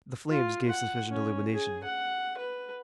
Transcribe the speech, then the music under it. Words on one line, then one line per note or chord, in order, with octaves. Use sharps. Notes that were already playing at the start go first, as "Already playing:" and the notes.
The flames gave sufficient illumination.
F4
F#5
C#4
G#4
F#5
B4